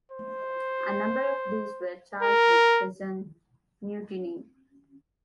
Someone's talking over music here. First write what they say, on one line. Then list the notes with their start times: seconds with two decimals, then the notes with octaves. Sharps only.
A number of these were charged with 'Prison Mutiny'.
0.12 C5
2.23 A#4